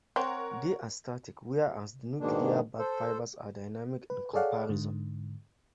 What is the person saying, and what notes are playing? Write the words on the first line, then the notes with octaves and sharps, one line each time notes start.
They are static, whereas the nuclear bag fibers are dynamic in comparison.
C4 A#4 C#5 F#5
G#2 B2 D#3 G#3 A#3 D4
A4 C5
B4
G#4 A4 C#5 D5 F5 F#5
G#2 D3